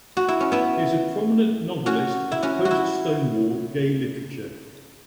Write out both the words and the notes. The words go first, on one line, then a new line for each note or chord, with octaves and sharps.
He is a prominent novelist of post-Stonewall gay literature.
F#4
E4
C#4
B3 E4
C#4 F#4
E4
C#4 F#4
F#4
E4